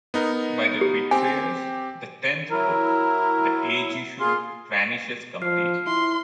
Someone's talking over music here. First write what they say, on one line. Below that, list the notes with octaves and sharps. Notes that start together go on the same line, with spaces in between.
By "The Betrayers", the tenth book, the age issue vanishes completely.
B3 D#4 A#4
G4
C4 G4 G#5
F#3 E4 A#4
A#2 F4 G#4 C6
F3 F6 C7
E4 C6